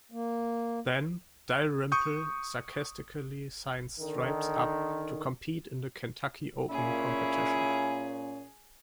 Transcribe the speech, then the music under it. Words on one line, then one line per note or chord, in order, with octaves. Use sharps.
Then, Dalrymple sarcastically signs Stripes up to compete in the Kentucky Open competition.
A#3
C#6 D#6 G6
D3 D#3
A#2 C#4 E4 G#4